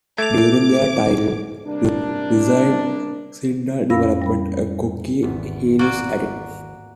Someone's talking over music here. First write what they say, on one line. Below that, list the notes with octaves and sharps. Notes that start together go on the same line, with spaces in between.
During their title reign, Sydal developed a cocky, heelish attitude.
A3 D6 G#6 F7
C3 G3 A#3 D4
F2 C#4 F5 B5 E6 A#6
G3 A#4 B5
G#1 E2 B3
A#3 F#4 D5